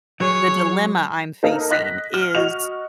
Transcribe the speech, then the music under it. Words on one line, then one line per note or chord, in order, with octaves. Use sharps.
the dilemma I'm facing is
F#3 G#4 C#5
A#3 D#4 A4 A#4
D#5 F#6 A#6 B6
F6
F#4 D#5 F7